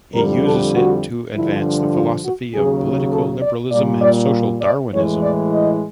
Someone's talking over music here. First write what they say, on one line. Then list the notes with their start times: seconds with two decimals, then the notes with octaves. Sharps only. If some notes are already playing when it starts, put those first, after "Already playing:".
He uses it to advance the philosophy of political liberalism and social Darwinism.
0.13 F2 D3 G3 A#4
0.43 A4
0.73 F#4
1.32 G2 D3 F3 E4
1.92 F4
2.22 F#4
2.52 D#2 C#3 F#3 G#4
3.12 A4
3.41 D5
3.71 A#2 G3 D5
4.01 D5
4.61 D5
4.91 A2 E3 G#3 C#5
5.21 D5
5.51 D#5